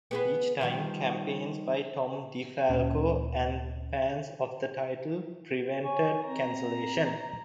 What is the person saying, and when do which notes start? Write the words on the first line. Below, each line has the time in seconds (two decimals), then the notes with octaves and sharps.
Each time, campaigns by Tom DeFalco and fans of the title prevented cancellation.
0.11 B3 G#4 B4
0.61 D#3 F3 G3
2.69 D2 A#2 C#4
5.84 C#5 G#5 C#6
6.26 C4 A#5